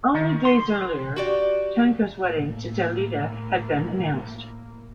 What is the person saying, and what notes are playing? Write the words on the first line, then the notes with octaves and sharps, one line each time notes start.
Only days earlier, Tenco's wedding to Dalida had been announced.
D#3
C6
F#4 G4 D5
A2 A#3